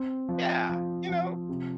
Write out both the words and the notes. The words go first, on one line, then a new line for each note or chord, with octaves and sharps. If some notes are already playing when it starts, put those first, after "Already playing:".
Yeah, you know?
Already playing: C4
F3
F3
F3
C3